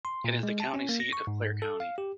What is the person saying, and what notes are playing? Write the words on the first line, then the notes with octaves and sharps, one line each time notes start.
It is the county seat of Clare County.
C6
A#2
G#3
A5
C#4
A#3
A#6
C#6
G#2
A4
F5
G4